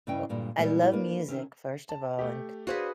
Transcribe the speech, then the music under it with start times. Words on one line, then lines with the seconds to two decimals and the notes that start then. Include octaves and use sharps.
Wel I love music, first of all, and
0.07 G2 C#3 C#4 E4 D#5 G5
0.29 G2 A#2 D3 G3 G#3
0.57 A#2 E3 G3 G#3 A#3 B3
0.91 A#3 D4 B4
1.28 D#3 C4 C#4
1.89 A5
2.19 A3 G4
2.67 D4 F#4 G#4 B4 C5 F5